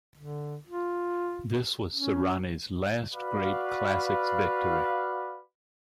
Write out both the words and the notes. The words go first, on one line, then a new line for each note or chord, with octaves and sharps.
This was Saronni's last great classics victory.
D3
F4
C#4
F#4 B4 D5 F5